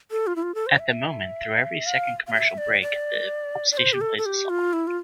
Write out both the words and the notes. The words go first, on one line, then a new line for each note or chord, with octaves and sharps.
At the moment through every second commercial break the station plays a song.
A4
F4
E4
F4
A4
C5
E5
F5
F5
E5
D5
D5
D5
C5
G4
A4
A4
G4
F4
E4
F4